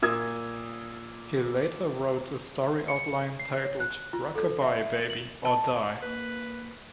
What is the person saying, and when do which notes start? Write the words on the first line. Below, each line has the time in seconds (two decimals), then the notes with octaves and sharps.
He later wrote a story outline titled Rock-A-Bye Baby, or Die!
0.02 A#2 A#4 D#6 E6 G#6
2.88 C#7
3.40 C7
3.64 C#5
3.80 F#6
4.13 F4
4.35 A4
4.62 E5
5.10 F#7
5.45 A5
6.02 A#3 B4